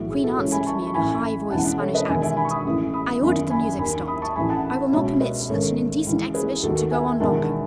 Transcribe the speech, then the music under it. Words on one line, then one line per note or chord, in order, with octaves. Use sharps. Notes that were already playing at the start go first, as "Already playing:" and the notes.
The queen answered for me in a high-voiced Spanish accent: "I ordered the music stopped; I will not permit such an indecent exhibition to go on longer."
Already playing: B1 A2 E3 F#4
G#4
F#4 A4
C#2 C#3 E3 A4 C#5
G#5 B5
A5 C#6
C#6
A1 A2 E3 G#5 B5
E1 E2 C#3 E3 F#5 A5
A4 C#5
B4 D#5
E1 E2 D#3 E5 G#5
E5 G#5
G#5 B5
C#6
B5 D#6
A1 A2 E3
B5 D#6
F#1 E2 D#3
G#5 B5
D#2 D#3 G#5 B5
B5 D#6
A5 C#6
A1 A2 E3 G#5 B5
F#5 A5
C#2 B2 C#5 E5
B4 D#5
A1 G#2 D#3 A4 C#5
C#2 C#3 E3
G#4 B4
D#2 D#3 F#4 A4
E5 G#5
E1 E2 D#3 F#5 A5